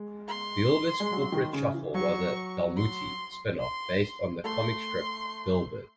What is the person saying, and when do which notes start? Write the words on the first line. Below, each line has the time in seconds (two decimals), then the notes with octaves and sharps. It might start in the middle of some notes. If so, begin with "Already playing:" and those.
Dilbert's Corporate Shuffle was a "Dalmuti" spinoff based on the comic strip "Dilbert".
Already playing: G#3
0.28 C6
1.00 G#3
1.12 F#3
1.32 D#3
1.53 C#3
1.74 E3
1.94 F#3 C#6
2.77 C6
3.60 C6
4.44 A3 C6